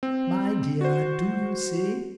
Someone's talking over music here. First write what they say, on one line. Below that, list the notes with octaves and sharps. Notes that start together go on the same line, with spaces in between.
My dear, do you see?'
C4
F#4 C5